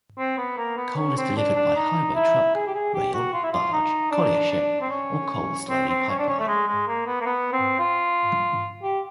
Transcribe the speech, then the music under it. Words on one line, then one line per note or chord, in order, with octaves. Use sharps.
Coal is delivered by highway truck, rail, barge, collier ship or coal slurry pipeline.
C4
B3
A#3
B3
C#4
C4
D4
D4
D#4
E4
G#4
G4
G#4
G4
F#4
F4
E4
F4
D#4
D4
D4
C4
C#4
C4
C4
C#4
D4
C#4
A3
G#3
G#3
A#3
B3
A#3
B3
C4
F4
G4